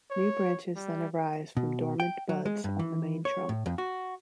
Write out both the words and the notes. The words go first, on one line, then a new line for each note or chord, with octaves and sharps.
New branches then arise from dormant buds on the main trunk.
C#5
G3
B2
G5
F#3
G#3
G2
E3
C#5
A2
F2
F#4